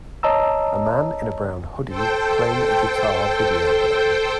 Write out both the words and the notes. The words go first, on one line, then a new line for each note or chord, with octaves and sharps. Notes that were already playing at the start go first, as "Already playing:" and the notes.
A man in a brown hoodie playing a guitar video game.
C#5 D#5 A5 A#5 E6
A4 C5 G5